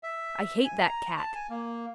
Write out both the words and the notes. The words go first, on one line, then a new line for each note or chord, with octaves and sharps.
I hate that Cat!
E5
G#5
A#5
A5
G#5
A#3